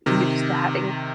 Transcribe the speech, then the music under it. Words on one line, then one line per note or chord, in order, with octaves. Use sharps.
used to having
C3 D#3